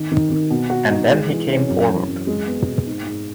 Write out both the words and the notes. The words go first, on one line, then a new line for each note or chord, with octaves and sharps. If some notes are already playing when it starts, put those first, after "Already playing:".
And then he came forward.
Already playing: D#3
D#3
D#3
B2
F#4
D#4
G#3
E3
C#4
F#2
E3
F#2
G#3
B3
B2
G#2
G#2